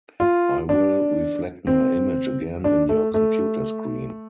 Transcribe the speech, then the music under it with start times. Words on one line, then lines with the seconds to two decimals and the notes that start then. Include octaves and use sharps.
I will reflect my image again in your computer screen.
0.20 F4
0.69 D4
1.67 C4
2.64 D4
2.89 A3
3.14 A3